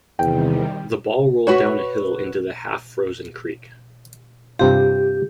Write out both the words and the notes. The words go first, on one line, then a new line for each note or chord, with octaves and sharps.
The ball rolled down a hill into the half-frozen creek.
E2 C3 D#3 G3 G5
F#4 B4 C#5
G2 C3 F4 G4